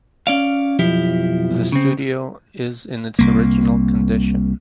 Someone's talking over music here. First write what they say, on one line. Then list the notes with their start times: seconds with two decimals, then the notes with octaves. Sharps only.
The studio is in its original condition.
0.27 C#4 D5 F5
0.79 B1 F2 F3 E4 G4
1.72 C#3 C4
3.19 C2 A#3